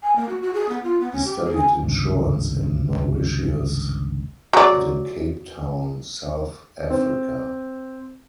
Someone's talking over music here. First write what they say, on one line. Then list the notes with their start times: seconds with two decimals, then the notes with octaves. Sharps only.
He studied insurance in Mauritius and in Cape Town, South Africa.
0.03 G#5
0.16 A#3
0.29 F#4
0.42 F#4
0.54 G#4
0.69 B3
0.83 F4
1.00 B3
1.12 C#4
1.24 G4
1.45 G#4
1.57 G#5
1.83 G#1 C#2 G2 C3
4.53 F#3 D5
6.90 C4